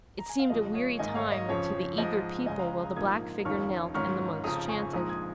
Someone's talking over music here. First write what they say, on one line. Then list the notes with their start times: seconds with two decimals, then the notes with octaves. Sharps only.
It seemed a weary time to the eager people while the black figure knelt and the monks chanted.
0.19 A#5
0.29 G#5
0.39 F5
0.50 F2 C#3 G#3 F4 D#5
0.74 C#5 F5
0.99 G#1 G#2 D#3 A#3 D#5 G#5
1.15 C#5 F5
1.32 D#5
1.49 F2 C#3 F3 C#4 C#5
1.97 G#2 F3 G#3 D#5
2.46 C#2 C#3 G#3 D#5 G#5
2.59 F5 A#5
2.84 A#5 D#6
2.96 A#1 G#2 F3 A#3 D#4 D#6 G#6
3.45 F1 D#2 D#3 C#4 F4 C#6 F6
3.94 G#2 D#3 C#4 F4 C#6 F6
4.44 F1 F2 C#3 F3 A#5 D#6
4.69 G#5 C#6
4.93 A#1 A#2 F3 G#3 D#4 A#5 D#6
5.09 D#6 G#6